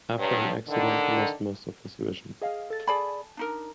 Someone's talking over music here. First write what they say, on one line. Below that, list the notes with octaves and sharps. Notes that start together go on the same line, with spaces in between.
After an accident he lost most of his vision.
G2 F#3
D3 D#3
G#4 D#5 F5
A4 A6
G#4 D5 G#5 A5 B5
D4 D#4 A#4